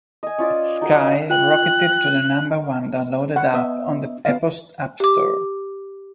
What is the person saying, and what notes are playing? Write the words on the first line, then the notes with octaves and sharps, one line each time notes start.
It sky rocketed to the number one downloaded app on the Apple app store.
D#5 G#5
C#4 F4 D5 D#5
D#4 F#4 G#4 A#4
F4 G5 F#6
F#5
B3 D#5 E5
B3 F5
G4 D6